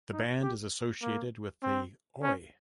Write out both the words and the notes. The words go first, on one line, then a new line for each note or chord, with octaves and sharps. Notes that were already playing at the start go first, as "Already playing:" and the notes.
The band is associated with the Oi!
D#4
G4
A#3
C4
C#4